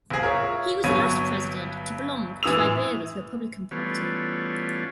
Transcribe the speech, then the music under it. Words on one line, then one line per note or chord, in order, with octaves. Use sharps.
He was the last President to belong to Liberia's Republican Party.
F#1 A#3 G#4
F4 A#4 C#5 E5
G1 G2 F#3 C#5 D#7
F#2 A2 E3 D#6 E6 F7
E3 G3 A3 B3 C#4 F4